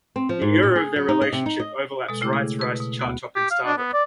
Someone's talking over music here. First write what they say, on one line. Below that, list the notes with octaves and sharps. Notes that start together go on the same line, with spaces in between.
The era of their relationship overlaps Wright's rise to chart-topping stardom.
C4
F3
G#2
A#2
G#4
F#3
D#4
D#5
C3
D#4
D#5
B2 G#3 A4
C#3 A3 E4 G5 D6
G#4
B2 B4 A5 E6
B2
D2 B3 F#4
G4
F5
D4
B3
D5